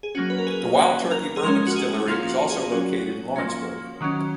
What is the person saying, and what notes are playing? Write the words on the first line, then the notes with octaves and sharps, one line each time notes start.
The Wild Turkey bourbon distillery is also located in Lawrenceburg.
G#4
F#3 A#3 C#4 F#4
B4
A#4
G#4
F#3 A#3 C#4 B4
A#4
G#4
F3 G#3 C#4 A#4
F#4
G#4
F3 A#3 C#4 F4
F#4
G#4
F#3 C#4 F#4
F3 A#3 C#4
D#3 F#3 C#4